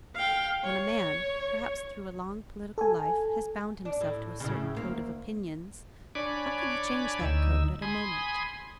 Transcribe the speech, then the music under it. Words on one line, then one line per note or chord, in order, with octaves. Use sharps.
When a man, perhaps through a long political life, has bound himself to a certain code of opinions, how can he change that code at a moment?
F5 G5
C#5
A4 G#5
D4
A2
A2 C#3
D2 A#3
D4 C#5 D5 G#5 B5 D6
D2 D#4 E6
G#5 B5 C6 D#6